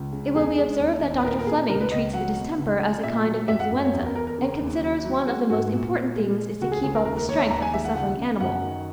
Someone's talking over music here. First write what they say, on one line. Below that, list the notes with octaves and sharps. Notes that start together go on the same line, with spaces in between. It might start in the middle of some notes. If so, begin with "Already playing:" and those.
It will be observed that Dr. Fleming treats the distemper as a kind of influenza, and considers one of the most important things is to keep up the strength of the suffering animal.
Already playing: C#2
C#3
E2 G#4
G#3
D#2
D#2
B4
A#2 A#4
A#4
A#2 G#4
C#2 A#4
B4
C#2 D#5
F#3 F#5
B2
C#2
C#3
A#2 E5
F#3
F#2 E5
F#5
F#2
C#5
E2
A#4
E2 A#4
A#4
C#3
D#2
F#3
F#3
G#3 F#4
G#2 F#4
A#2
A#2
G#3
G#3
C#2 F#4
G#4
C#2 G#4
A#4
D#2 A#4
A#4
D#2 C#5
E5
D#2 A#5
G#5
G#3 E5
F#5
C#2 F#5
C#3
F#2 F#5
D#3